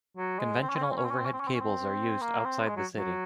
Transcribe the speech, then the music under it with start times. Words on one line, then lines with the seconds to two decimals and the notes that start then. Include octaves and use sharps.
Conventional overhead cables are used outside the city.
0.17 F#3
0.39 G#3
0.62 C4
0.69 C#4
0.76 C4
0.83 C#4
0.91 C4
0.97 C#4
1.05 C4
1.11 C#4
1.19 C4
1.26 C#4
1.33 C4
1.40 C#4
1.47 C4
1.54 C#4
1.61 C4
2.21 A#3
2.45 C4
2.67 G#3
2.76 F#3
2.95 F#3